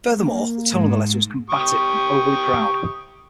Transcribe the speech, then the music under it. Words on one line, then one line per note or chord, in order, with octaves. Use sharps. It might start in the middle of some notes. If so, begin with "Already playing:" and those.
Furthermore, the tone of the letter was combative and overly proud.
A#3
G#2
G4 C#6 D#6